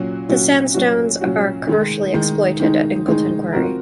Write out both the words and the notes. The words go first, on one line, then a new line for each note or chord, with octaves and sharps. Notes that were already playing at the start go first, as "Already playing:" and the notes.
The sandstones are commercially exploited at Ingleton Quarry.
Already playing: A#2 F#3 C#4 F#4
A#2 F#3 C#4 F#4
A#2 F#3 C#4 F#4
A#2 F#3 C#4 F#4
D#3 G#3 D#4
D#3 G#3 D#4
D#3 G#3 D#4
D#3 G#3 D#4
F3 C4 F#4 A#4